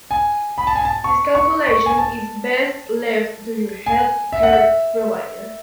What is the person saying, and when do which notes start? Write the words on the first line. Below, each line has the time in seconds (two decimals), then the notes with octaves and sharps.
This calculation is best left to your health care provider.
0.11 G#5
0.58 B5
0.67 A5
0.76 G#5
0.85 A5
1.04 C#6
1.35 C#6
1.67 C#6
1.86 G#5
1.98 A5
3.86 G#5
4.32 E5
4.43 F#5
4.53 E5